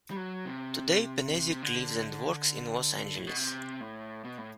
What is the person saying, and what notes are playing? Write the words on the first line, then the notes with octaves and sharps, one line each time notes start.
Today Penezic lives and works in Los Angeles.
G3
F#3
C3
C3
D3
A2
B2
C3
A2
B2
A2